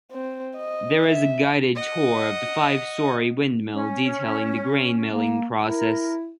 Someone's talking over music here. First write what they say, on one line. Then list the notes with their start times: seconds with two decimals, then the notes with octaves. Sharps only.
There is a guided tour of the five-storey windmill detailing the grain milling process.
0.12 C4
0.57 D#5
1.07 E5
1.75 D#5 F#5
3.73 C#4
5.09 A#3
5.67 E4 A#4